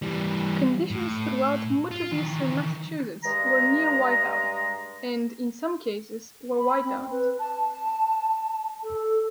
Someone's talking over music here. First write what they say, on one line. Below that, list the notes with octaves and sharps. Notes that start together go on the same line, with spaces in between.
Conditions throughout much of eastern Massachusetts were near-whiteout and, in some cases, were whiteout.
E3 G3
A2
F4
D#3 E3
G2 G#3 A#5
B5
C4
B4
A5
A4